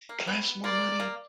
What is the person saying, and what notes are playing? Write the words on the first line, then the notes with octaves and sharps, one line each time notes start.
can I have some more money?"
A#3
B3
A#3 D5
A#3